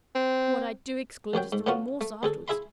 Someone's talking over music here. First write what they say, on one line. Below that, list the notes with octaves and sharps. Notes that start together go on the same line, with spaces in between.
What I do exclude is the remorse afterwards.
C4
A1 F#2 F#3 G5
G#2
A2 B3 C#4 F4 F#4
A3
D2 G#4 A4
E4 G#4 E5 B5 C6